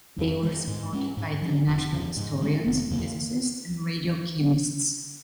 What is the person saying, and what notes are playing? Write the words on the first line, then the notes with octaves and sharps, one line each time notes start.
They were supported by international historians, physicists and radio chemists.
F2
D#3 G#3
G#2
G#3 C#4
G#2
F3 C#4
F1
F2 C#3 F3
G#2
D#3 G#3 C#4
F1
F2 C#3 A#3